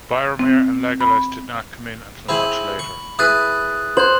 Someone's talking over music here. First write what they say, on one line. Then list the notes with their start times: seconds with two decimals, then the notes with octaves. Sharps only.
Boromir and Legolas did not come in until much later.
0.39 C4
1.01 B5
2.29 C4 E4 G#4 B5 F#7
2.79 C#6
3.19 E4 G#4 B4 D#6 F#6 A6
3.97 C5 F#6 G#6 F#7